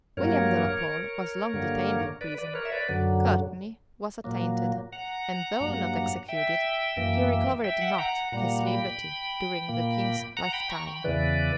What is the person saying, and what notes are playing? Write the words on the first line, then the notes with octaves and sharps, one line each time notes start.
William de la Pole was long detained in prison: Courtney was attainted, and, though not executed, he recovered not his liberty during the king's lifetime.
G2 F#3 A#3 A#4 C#5
G2 D3 A#3
B4 D5
B4 D5
A#4 C#5
E5
B4 D5
F#2 D3 F#3
A#2 F#3 A#3
F#5 A#5
G2 F#3 A#3
E5 G5
F#2 E3 A#3
E5 G5
F#5
G5
F#5 A#5
A#2 G3 A#3 F#5 A#5
G5 B5
A#2 A#3
F#5 A#5
G5 B5
A#5 C#6
G5 B5
E2 C#3 E3 B4 D5